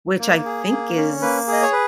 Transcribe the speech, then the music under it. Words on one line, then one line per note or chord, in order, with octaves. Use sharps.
Which I think is
A#3
G#4
A#3
C#4
A#3 B4
G#4
D#5
C#5
B4